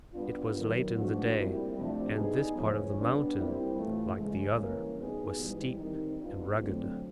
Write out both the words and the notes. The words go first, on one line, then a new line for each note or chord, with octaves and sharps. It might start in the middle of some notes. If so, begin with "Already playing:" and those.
It was late in the day, and this part of the mountain, like the other, was steep and rugged.
G3 B3 D4 F4
D#3 F#3 B3
G#2 F3 A3 D4 F#4
A#2 G3 C4 E4
F2 C3 F3 A3 D4
G3 B3 D#4 G#4
E2 C#3 F3 A3 C#4
G3 B3 D4
A#2 G3 C4 E4
A2 E3 A3 C#4 F4
C#3 E3 G#3
E3 G3 A#3 C#4
B2 G3 B3 D#4 G#4
G#2 E3 G3
D#3 G3 C4 D#4
G3 B3 D4 F4
D3 F#3 A3 C4